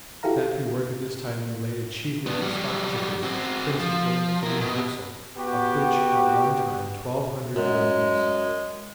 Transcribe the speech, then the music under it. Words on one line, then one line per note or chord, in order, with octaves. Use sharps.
The factory work at this time related chiefly to stock tickers, principally the "Universal," of which at one time twelve hundred were in use.
E4 F#4 G4 A4 F5 A#5
B3 D4
F#3 G3
C4 F#4
F3
E4 A#4
B2
B3 F#4 G4
F#2 G#3